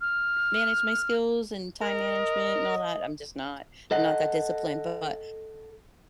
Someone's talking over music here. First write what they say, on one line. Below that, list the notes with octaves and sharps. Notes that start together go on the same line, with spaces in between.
manage my skills and time management and all that I'm just not I'm not that disciplined, but
F6
A#4 D#5
A4 D#5 F#5